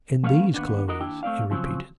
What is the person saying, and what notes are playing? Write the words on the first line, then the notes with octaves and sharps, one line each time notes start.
In these clothes,' he repeated.
F3 A3 B3 C#4 C#5 F5
D#2 B3 D4
D4 F#4 A#4 D#5
D#2 D4 E4 G5
A3 C4 D5 F5
C#3 F3 F#3 C4